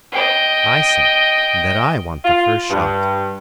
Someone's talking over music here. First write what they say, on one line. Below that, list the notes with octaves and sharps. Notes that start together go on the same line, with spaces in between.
"I say that I want the first shot."
D#5 G5
F4
G2